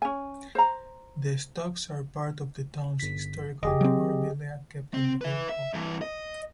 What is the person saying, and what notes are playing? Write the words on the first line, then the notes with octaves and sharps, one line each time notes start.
The stocks are part of the town's historical memorabilia kept in the Guildhall.
C#4 G#5
C5 A#5
G1 B6
F1 G4 G#4 D#5
F#3 C4
C4
B4 E5
E5
G2 E3
D#5